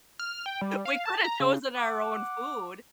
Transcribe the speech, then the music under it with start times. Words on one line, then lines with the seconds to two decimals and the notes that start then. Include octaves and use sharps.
We coulda chosen our own food,
0.19 F6
0.46 G5
0.61 G3
0.85 F5
1.05 A5
1.24 A#5
1.40 C#3
1.76 F#5 D6